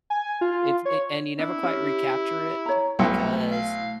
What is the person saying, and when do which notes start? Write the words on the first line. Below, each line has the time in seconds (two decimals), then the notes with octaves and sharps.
it's it and you never quite recapture it because
0.10 G#5
0.41 F4
0.85 C#5
1.39 D4 E4
1.63 C#4 G4
2.66 C#5 A#5
2.99 B1 A3 E4 F#5 G5
3.52 F5